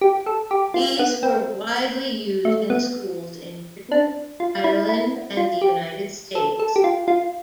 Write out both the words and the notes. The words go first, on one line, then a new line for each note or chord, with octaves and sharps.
These were widely used in schools in Britain, Ireland and the United States.
G4
A4
G4
F4
B3
C4
A3
B3
D4
F4
E4
E4
F4
G4
A4
A4
G4
F4
F4